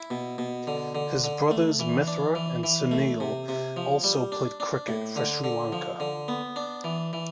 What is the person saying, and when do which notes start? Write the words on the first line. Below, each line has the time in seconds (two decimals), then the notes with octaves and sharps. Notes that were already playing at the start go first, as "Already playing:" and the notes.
His brothers Mithra and Sunil also played cricket for Sri Lanka.
Already playing: E4
0.10 B2
0.38 B2
0.67 D3
0.95 D3
1.24 D3
1.51 A3
1.80 E3
2.07 D4
2.35 E3
2.63 E3
2.91 A3
3.20 C3
3.48 C3
3.76 F3
4.04 G3
4.32 D4
4.60 D4
4.88 A2
5.16 D3
5.44 D3
5.72 F3
6.00 D3
6.28 B3
6.56 D4
6.84 E3
7.13 E3